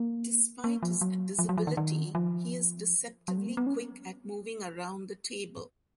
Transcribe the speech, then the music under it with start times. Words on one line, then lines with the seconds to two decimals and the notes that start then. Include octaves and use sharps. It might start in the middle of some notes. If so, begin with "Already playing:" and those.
Despite his disability he is deceptively quick at moving around the table.
Already playing: A#3
0.64 A#3
0.83 F3
1.01 F#3
1.39 F3
1.49 F#3
1.58 F3
1.67 D#3
1.77 D#3
2.15 F3
3.28 F#3
3.38 G3
3.47 A#3
3.57 B3
3.67 C#4